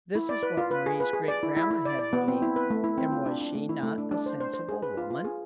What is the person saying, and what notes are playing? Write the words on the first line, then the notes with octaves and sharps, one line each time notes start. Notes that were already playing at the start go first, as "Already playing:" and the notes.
This is what Mari's great-grandma had believed, and was she not a sensible woman?
E4
D5
B4
F4
B4
G#4
B4
G#4
D5
E4
E4
E4
D5
D5
B3
C4
E4
B4
A3
E4
C4
F4
D4
D4
A3
E4
A3
D4
D4
C5
C5
C5
G#4
B4
F4
F4
G#4